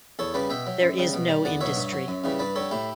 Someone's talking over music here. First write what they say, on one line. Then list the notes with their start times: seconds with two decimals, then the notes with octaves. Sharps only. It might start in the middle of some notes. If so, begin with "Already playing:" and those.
There is no industry.
0.19 E2 A4 C#5
0.34 C#3 G3 B4 D5
0.50 B2 E5 G5
0.67 F#3
0.82 F#2
0.98 C#3 G3
1.13 B2
1.29 G3
1.45 E2 D5 F#5
1.61 B2 F#3 C#5 E5
1.77 G2
1.92 F#3
2.08 F#2
2.24 C#3 E3 G3
2.39 G2 B4 D5
2.56 D3 G3 A4 C#5
2.71 A2 E4 G4